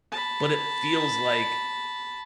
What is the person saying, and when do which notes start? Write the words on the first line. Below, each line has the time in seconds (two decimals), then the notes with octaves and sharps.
but it feels like
0.12 A5 B5